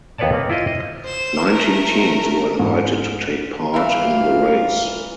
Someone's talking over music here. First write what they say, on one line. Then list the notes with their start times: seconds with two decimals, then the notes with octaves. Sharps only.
Nineteen teams were invited to take part in the race.
0.18 D#2 B3 B4 C#5 D5 A5
0.32 A#3 C4
0.50 E4 F4 C5 D#5
0.67 D#5
1.05 C5 E7
1.51 A3 A#4
2.59 G#2
3.74 G2 A#2 E3 E4 F5 F6